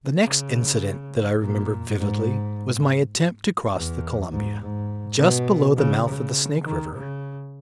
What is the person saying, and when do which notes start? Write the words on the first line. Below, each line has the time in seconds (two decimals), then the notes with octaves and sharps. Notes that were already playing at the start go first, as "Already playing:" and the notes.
The next incident that I remember vividly was my attempt to cross the Columbia, just below the mouth of the Snake River.
0.24 C#3
1.40 A#2
1.98 G#2
3.73 E2
4.32 G#2
4.61 G#2
5.19 B2
5.77 C#3
6.07 C#3
6.65 D#3
6.93 C#3